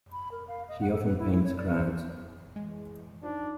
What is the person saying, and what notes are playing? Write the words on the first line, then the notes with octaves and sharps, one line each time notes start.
She often paints crowds.
B5
A#4
F5
D#5
F#5
A4
B4
E4
E4
C#5
D5
C5
E3 G#3
F3 D4 D#4